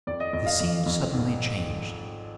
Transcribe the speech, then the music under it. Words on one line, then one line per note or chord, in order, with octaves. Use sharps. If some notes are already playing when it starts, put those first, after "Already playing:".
The scene suddenly changed.
F2 D5
D#5
F2 D#5
F5
F2
F2
G#1